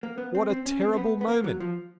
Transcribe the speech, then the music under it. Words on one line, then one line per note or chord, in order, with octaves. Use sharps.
What a terrible moment!
A#3
B3
C4
C4
C#4
C4
C4
B3
B3
A#3
F#3
F3